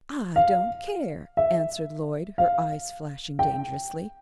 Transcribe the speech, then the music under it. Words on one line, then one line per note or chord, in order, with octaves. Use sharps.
"I don't care," answered Lloyd, her eyes flashing dangerously.
F5
E5
F5
G5